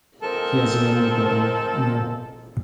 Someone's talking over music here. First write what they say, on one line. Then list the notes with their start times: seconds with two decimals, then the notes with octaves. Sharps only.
He has a younger brother, Neil.
0.23 F3 G#3 C4 A4 A#4